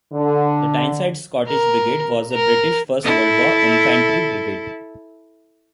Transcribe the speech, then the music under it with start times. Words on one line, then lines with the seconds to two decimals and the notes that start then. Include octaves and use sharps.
The Tyneside Scottish Brigade was a British First World War infantry brigade.
0.14 D3
1.48 A#4
2.34 A#4
3.03 E4 A4